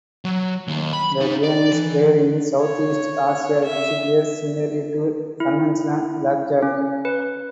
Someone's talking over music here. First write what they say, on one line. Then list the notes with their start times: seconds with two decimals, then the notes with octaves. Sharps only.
The game is played in South East Asia which bears similarity to conventional Blackjack.
0.25 F#3
0.68 D#2
0.93 B5
1.21 D#4 C5
1.43 D5
1.72 E3
2.61 C#5
3.64 E5
5.40 E4
6.62 C#4
7.05 B4